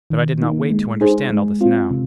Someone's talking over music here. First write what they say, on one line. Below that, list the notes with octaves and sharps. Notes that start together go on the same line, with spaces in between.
But I did not wait to understand all this now.
D#3
A#3 D#4
G#3
D#4 G#4 C5
G#3
C4 F4
C3